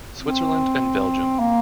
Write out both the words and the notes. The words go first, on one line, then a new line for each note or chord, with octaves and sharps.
Switzerland and Belgium.
C4
A#3